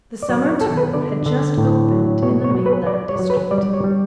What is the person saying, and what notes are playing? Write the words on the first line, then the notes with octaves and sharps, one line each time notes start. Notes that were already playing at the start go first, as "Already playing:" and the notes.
The summer term had just opened in the Maitland district.
D5
F#3 C#5
C#5
B2 A4
B4
D3 D5
D3
A2
F#3
B2 C#5
C#5
F#3
B4
F#3 D5
C#5
F#3
B4
G3 D5
C#5
G3